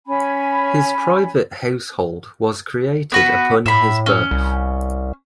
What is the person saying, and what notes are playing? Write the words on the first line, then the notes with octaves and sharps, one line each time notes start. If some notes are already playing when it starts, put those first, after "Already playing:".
His private household was created upon his birth.
C#4 G#5 B5
B3 F#4 B4
A2 E5 B5
C#4
C2